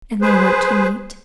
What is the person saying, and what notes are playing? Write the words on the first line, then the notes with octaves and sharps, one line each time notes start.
And they went to meat.
G#4 B4 C5